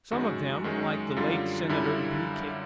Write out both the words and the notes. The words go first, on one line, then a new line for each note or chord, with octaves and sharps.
Some of them, like the late Senator B.K.
F#2 D#3 G#3 F#4
F#2 D#3 G#3
F#2 D3 G3 F4
F#2 D3 G3 E4